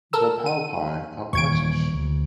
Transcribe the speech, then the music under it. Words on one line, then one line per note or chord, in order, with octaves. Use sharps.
The palpi are whitish.
A4 A#4 E6
D#7
D#1 E3 C#6 G#6 D7
D2